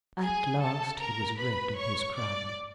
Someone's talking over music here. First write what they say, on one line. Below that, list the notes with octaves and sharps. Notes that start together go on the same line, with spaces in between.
At last he was rid of his crime.
G#4 G#5
A4 A5
A#4 A#5
B4 B5
C#5 C#6
D5 D6